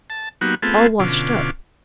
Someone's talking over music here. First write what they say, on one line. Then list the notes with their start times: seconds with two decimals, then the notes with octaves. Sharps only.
All washed-up!
0.10 A5
0.41 F#3 A#3 B3 D#4 F#4 G4
0.62 A3 B3 C4 F4 G#4 A4
1.00 B2 D3 C#4 F4 D6